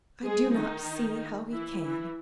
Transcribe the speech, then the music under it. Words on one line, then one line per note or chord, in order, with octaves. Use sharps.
I do not see how he can.
G#3 G#4
D#3 D#4
E3 E4
E3 E4